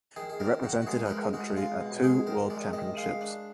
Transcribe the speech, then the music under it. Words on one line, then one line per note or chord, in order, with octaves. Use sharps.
She represented her country at two World Championships.
D#3 G#4
G#4
D#3 A#4
D#3 F#4
F#4
G#3 G#4
B4
G#3 A#4
G#3 F#4
G#3 F4
B2
G#3 G#4
D#3 A#4
G#3 D5
D#3 D#5
G#3 F5
D4